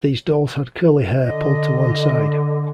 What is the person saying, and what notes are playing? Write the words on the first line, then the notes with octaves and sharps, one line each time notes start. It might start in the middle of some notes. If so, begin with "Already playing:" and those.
These dolls had curly hair pulled to one side.
D3 D#5